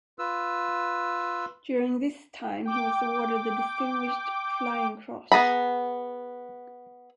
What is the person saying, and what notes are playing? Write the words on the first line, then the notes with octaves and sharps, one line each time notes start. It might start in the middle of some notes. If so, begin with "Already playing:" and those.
During this time he was awarded the Distinguished Flying Cross.
F4 B4 E6
G5 D6
B3 G#4 A#5 B5